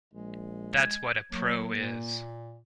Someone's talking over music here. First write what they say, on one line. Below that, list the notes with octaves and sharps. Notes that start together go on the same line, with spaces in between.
That's what a pro is.
A#1 G#3
G#6
F#3 A#3
A#2